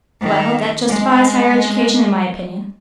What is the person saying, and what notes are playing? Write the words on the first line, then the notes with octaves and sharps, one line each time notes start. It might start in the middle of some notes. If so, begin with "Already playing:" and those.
Well, that justifies higher education in my opinion.
D#3
G#3